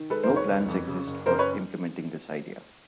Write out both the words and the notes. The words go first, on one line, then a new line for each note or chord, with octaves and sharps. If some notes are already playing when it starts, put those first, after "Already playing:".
No plans exist for implementing this idea.
Already playing: D#3
G#3 A4 B4
A#4 C5
D#2
B4 C#5
F#1
F2
C#3
F#1
F#1 A#4 C5
B4 C#5